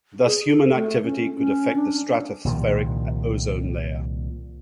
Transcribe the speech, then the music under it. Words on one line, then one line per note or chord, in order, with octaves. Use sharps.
Thus human activity could affect the stratospheric ozone layer.
G#4
A4
A3
C#4
C#4
D4
C2 A#2 D#3 F3